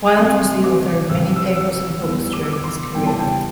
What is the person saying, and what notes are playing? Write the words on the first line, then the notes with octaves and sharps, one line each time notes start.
Wyld was the author of many papers and books during his career.
C2 C3 G3 C6
D6
C2 C3 G3 E6
E6
E6
E2 E3 G3 E6
D6
E6
D6
C6
E2 E3 G3 G5
A5
G5